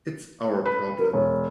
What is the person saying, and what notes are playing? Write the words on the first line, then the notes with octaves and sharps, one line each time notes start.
It's our problem.
B4
A#4
E1 C#5